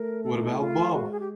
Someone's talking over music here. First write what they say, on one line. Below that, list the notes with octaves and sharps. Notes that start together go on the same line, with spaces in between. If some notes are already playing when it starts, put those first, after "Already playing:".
What About Bob?
Already playing: A3 A#4
A4
F4
D#4
E4
F4
G#3 F#4
G#4
G4